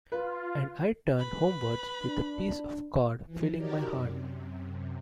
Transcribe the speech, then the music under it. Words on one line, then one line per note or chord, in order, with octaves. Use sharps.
And I turned homewards with the peace of God filling my heart.
F4 B4
B4 B5
D4
E3 F3
D#4 F#4 G4 A#4 C#5 D5
F#2 C3